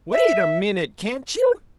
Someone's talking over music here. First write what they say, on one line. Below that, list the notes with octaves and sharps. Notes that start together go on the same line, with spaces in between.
"Wait a MINUTE, can't you?"
E5